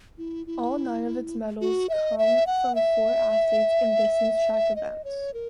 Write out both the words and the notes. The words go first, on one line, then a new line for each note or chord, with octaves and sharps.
All nine of its medals come from four athletes in distance track events.
E4
E4
F#4
E5
D#5
E5
F#5
E5
D#5
C#5
A#4